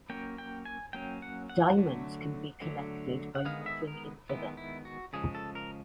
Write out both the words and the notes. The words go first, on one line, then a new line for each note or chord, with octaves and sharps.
Diamonds can be collected by moving into them.
F#3 A#3 C#4 G5
G5
G#5
F#3 A#3 C#4 G5
F#5
F#5
D3 F#3 A3
D3 F#3 A3
F#5
D#3 G#3 B3 F5
E5
A#4
D#3 G#3 B3 E4
E4
F#4
C#3 F3 G#3 G#4
A4
A#4